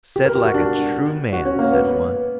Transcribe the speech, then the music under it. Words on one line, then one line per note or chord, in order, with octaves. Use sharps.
"Said like a true man," said one.
G4
A#4
G4
F#4
D4
F#4
C#4
A#3
B3